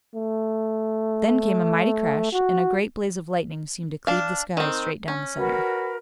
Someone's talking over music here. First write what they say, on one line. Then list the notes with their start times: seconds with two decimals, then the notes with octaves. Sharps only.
Then came a mighty crash and a great blaze of lightning seemed to cleave the sky straight down the center.
0.15 A3
2.32 F#4
4.07 D4 F5
4.57 D#3 C4
5.08 C#4
5.36 F#4 A#4 B4